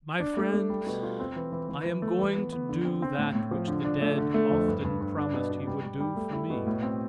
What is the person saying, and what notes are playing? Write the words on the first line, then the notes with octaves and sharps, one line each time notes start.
My Friends: I am going to do that which the dead often promised he would do for me.
D4
A3
A3
G3
B2
F4
C4
E3
E3
E3
E3
A3
E3
B3
B3
D3
C4
C4
A2
A2
F3
D3
D4
A3
D3
A3
F2
G2
G2
G2
D4
B2
B2
G3
G3
G3
A3
E4
B2
A2
C4